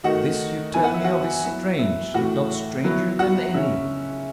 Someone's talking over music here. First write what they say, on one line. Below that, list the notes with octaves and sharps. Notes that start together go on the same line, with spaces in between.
This you tell me of is strange--if not stranger than any!
D#3 A3 D#4 F#4 F#5
E3 B3 E4 G#5
F#5
E5
F#4 F#5
F#3 B3 E4 E5
E5
A2 E3 A3 E4 F#4 F#5
F#3 B3 E4
F#4 F#5
C#3 G#3 C#4 E5